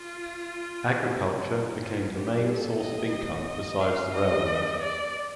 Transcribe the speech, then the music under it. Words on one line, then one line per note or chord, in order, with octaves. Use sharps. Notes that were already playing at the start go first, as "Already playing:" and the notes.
Agriculture became the main source of income besides the railroad.
Already playing: F4
D#4
F4
G4
A4
D#5
D#5
F5
D#5
D5